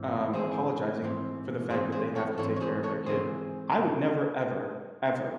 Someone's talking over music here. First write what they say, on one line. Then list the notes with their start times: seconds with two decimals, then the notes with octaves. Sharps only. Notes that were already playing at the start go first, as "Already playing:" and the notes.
um, apologizing for the fact that they have to take care of their kid. I would never, ever, ever,
Already playing: G#2 E3 C4
0.33 G#2 E3 C4 G#4 C5
1.02 G#2 E3 C4
1.70 G#2 E3 C4 G#4 C5
1.92 G#4 C5
2.15 A4 C#5
2.38 G#2 E3 C4 A4 C#5
2.56 C#5
2.60 G#4 C5
2.83 A4 C#5
3.06 G#2 E3 C4 G#4 C5